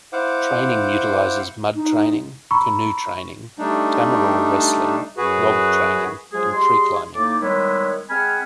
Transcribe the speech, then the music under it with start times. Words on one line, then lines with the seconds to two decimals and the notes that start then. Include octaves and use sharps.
Training utilizes mud training, canoe training, tamaraw wrestling, log training and tree climbing.
0.13 E4 C5 F5 F#5 D6
1.75 D#4
2.51 A#5 B5 C#6 E6
3.59 G3 A3 D4 D#4
5.17 F#2 F#4 G#4 B4
6.33 F3 F#3 G#3 G#4
6.54 G3 G#4 D#5 C6
7.15 A2 A#3 D#4 D5 D6
7.41 D#3 G3 G#3 B3 E4 C#5
8.09 G#3 C4 F#5 G#5 B5 F6